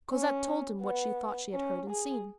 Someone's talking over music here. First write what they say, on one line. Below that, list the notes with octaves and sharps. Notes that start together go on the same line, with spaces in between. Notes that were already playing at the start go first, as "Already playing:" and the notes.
Cosette told him what she thought she had heard and seen.
C#4
B3
C#4
G#4